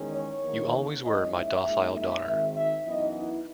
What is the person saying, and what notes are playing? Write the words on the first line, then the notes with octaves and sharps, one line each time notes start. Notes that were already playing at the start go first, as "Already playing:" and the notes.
You always were my docile daughter.
Already playing: E2 D#3 G#3 C#4
C#5
E2 D#3 A#3
G#2 E3 A#3 C#4 D#5
E5
A#2 G#3 D#4
E5
G#1 G#2 D#3 E5
E5
F#2 E3 B3 D#4 D#5
E4